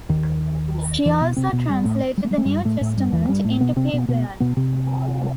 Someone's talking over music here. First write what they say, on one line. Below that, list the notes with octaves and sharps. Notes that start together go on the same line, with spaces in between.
She also translated the New Testament into Peguan.
D#2 D#3
E2 E3
B2 B3
C3 C4
B2 B3
G2 G3
A2 A3
G3
A3
G3
A3
G2 G3
A2 A3
A2 A3
G2 G3
E2 E3
A3
G2 G3
A2 A3
B2 B3
C3 C4
B2 B3
B2 B3
B2 B3
C3 C4